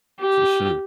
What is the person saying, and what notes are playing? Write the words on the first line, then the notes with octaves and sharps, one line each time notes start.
For sure.
G4